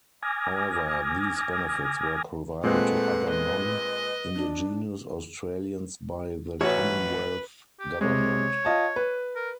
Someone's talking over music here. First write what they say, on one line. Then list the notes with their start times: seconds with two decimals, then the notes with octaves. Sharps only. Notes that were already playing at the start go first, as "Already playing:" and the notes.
However, these benefits were provided to other non-Indigenous Australians by the Commonwealth Government.
0.22 G#5 D6 D#6 F6 G#6 A#6
2.64 A#2 G#3 A3 C4 B4 F#5
3.30 D#5
4.35 D4
6.61 A1 F#4 B4 C#5
7.80 G4
8.01 C3 G#3 C#5
8.65 F4 D#5 A5
8.96 B4
9.36 A#4